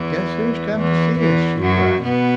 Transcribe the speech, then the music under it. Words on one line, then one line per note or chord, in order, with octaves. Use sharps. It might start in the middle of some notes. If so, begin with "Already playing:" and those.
"Guess who has come to see us!" she cried.
Already playing: E2 E3
E2 E3
E2 E3
F#2 F#3
B2 B3